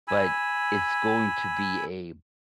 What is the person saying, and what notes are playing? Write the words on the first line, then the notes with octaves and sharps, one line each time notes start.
But, it's going to be a
G#5 B5 E6